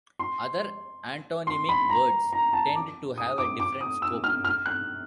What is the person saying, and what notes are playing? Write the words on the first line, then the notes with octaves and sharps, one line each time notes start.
Other antonymic words tend to have a different scope.
C6
C6
B5
A#5
A#5
A5
D6
D#6
D6
D6
D#6
E6
F6
F6
F#6